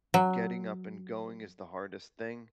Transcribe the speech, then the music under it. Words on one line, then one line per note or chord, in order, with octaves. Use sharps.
getting up and going is the hardest thing,
F#3